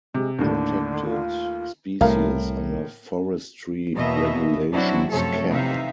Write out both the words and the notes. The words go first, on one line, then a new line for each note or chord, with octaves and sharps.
Protected Species under Forestry Regulations Cap.
C3 G#3
D#2 A2 D3 D4
F4
C2 A2 A#4 F5
E2 B2 A#3 D#5 E5
F#3 C4 D4 E4 F#4
F#2 C3 F3 A3 A4 C#5
C3 E3 D#4 E5 F5